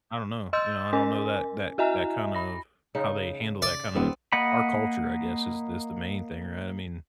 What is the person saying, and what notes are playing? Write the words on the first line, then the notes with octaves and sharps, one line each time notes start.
I don't know, you know, I don't know that that that kind of how they handle that kind of our culture I guess is this the main thing, right? I mean,
D#5 C6 E6 G6 A6
C#4 A#4 G#5
E4 F#4 D#5 E5 G#5 A#5
B5 A#6
C#3 D#4
D5
D#1 B3 C4
A#3 D#5 F#5 B5